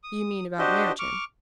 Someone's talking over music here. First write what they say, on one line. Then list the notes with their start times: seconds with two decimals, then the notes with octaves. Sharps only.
"You mean about Merton?"
0.04 D#6
0.58 D4 F#4 G4 C5 D#5
0.99 C#6 D6 F6